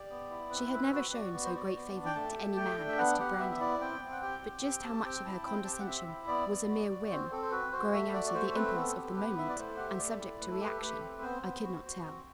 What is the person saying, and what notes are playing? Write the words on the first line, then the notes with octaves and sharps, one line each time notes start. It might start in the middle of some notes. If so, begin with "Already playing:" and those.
She had never shown so great favor to any man as to Brandon, but just how much of her condescension was a mere whim, growing out of the impulse of the moment, and subject to reaction, I could not tell.
Already playing: G4 D5
B3
E4
C4 B4
C4 B4
F#4 B4
F#4 D5
B3 D5
C5
F#4 D5
B3
D4
G5
A3 A5
G4
A3 G5
D4
E5
B3 F#5
G4 F#5
B3 E5
E5
E4 D5
C4 G5
C4
F#5
G4 G5
G4
C4 G5
G4 A5
C4 G5
E4 A5
C4 G5
G4 A5
G5
F#5
C4 E5
E4
B3 D5
B3
F#4
F#4
C4 C5
C4 A4
C5
F#4 B4
F#4 C5
A3 E5
F#4 D5
D5
A3 C5
A4
C4 B4
B3 A4
G4
B3 B4
E4 E5
D5
A3 C5
G4 F#5
E5
A3 D5
E4
A3 B4
A4
G4 B4
A4
A3 B4
C4
B3 C5
B3
F#4
F#4
C4